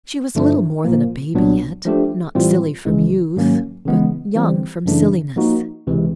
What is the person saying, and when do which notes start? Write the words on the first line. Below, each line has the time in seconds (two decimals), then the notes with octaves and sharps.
She was little more than a baby yet, not silly from youth, but young from silliness.
0.35 G2 D3 F3 A3 D4
0.85 A#2 F3 A#3
1.35 C2 A#2 F#3 B3 D4
1.85 F3 A3 D4 G4
2.35 A2 E3 G3 C4 F4
2.85 C#2 C#3 E3 G#3
3.36 G#2 D#3 F#3 A#3 C#4
3.86 C#3 E3 G#3 B3
4.35 E3 G3 C4
4.86 F#2 C#3 E3 A3 D4
5.36 F3 A#3 D#4 F#4
5.87 C#2 C3 E3 G#3